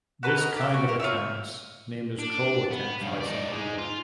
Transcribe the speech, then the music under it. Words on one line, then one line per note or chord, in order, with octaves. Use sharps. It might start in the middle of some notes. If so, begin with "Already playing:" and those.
This kind of accounts named as "troll accounts" by some people.
F#4 B4 A5 A#5
D#5 A#5 F6
G4 E5
F#4 D6
A3 A#4
F4 C#5 E5 E6
D4
B3
G2 C#3
D#4 D5
G#3 D#4
F4